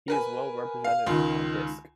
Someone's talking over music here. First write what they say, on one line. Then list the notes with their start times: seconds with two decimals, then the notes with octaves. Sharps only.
He is well represented on disc.
0.08 A#4 B4 G#5
0.84 F5
1.07 C#2 D#3 F4 C6